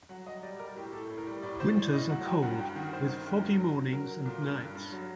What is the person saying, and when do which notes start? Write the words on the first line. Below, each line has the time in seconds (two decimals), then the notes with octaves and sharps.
Winters are cold with foggy mornings and nights.
0.09 F#3 F#5
0.26 F#3 D#5
0.42 G3 D5
0.59 G3 A#4
0.76 A2 G4
0.93 A2 A4
1.10 A2
1.18 A#4
1.27 G3
1.42 A2 D5
1.60 A2 C5
1.76 A2 D5
1.93 A2 D#5
2.09 F#3 F#5
2.25 F#3 G5
2.42 G2 F#5
2.59 G2 G5
2.75 D#3 F#5
2.93 G2 C5
3.09 D#3
3.26 G2
3.42 F#3
3.60 F#3
3.76 F#3
3.92 F#3 A#4
4.09 F#3
4.25 A#2
4.42 G2
4.59 G2
4.75 G2
4.92 F#3